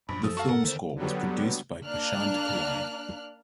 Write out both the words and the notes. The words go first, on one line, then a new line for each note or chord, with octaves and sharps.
The film score was produced by Prashant Pillai.
A#1 F#2 B5
F3 A4 D#6
F#4 F5 A5 C#6
G#2 A#4 F#5
E2 D3 D#3 B3 C5
D3 F#3 G3 B3
A#3 D4 F6 F#6